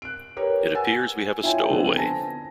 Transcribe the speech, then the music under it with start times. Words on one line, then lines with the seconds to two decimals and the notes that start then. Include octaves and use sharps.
It appears we have a stowaway.
0.02 F#6 D7
0.37 G4 A#4 B4 C#5
0.75 F#5 G#5 E6 A6
1.43 E4 F4 C#5 D#5 G5 G#5
1.70 D3 F3 B3 C4
1.97 G#5 A5 A#6